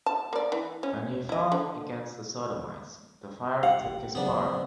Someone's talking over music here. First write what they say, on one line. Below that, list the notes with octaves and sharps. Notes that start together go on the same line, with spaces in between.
When he fought against the Sodomites, the fire took his part.
A5
A#3 D5
E3
C#4
E4 D#5
D3
G4 F5 F#5
C#3 F#3 B3 C4 D4